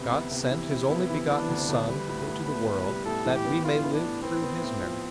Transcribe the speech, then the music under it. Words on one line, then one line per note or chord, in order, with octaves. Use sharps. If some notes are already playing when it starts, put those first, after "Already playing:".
God sent His only-begotten Son into the world that we may live through His merit.
Already playing: D2 C3 B3
B3 E4
C3
E3
C3
B3
E3
B3 D4
D2
D2
G3 B4
A2
A2
B3
A2
G3
A2 A4
E3
G4
B3
E3 F4
B3
D4
A2
B3 C4
B3
A2
F3